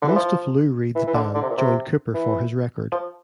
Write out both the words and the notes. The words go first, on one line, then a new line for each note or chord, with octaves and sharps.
Most of Lou Reed's band joined Cooper for this record.
D3
E3
F3
E3
E3
D3
D3
C3
A#2
C3
E3
F3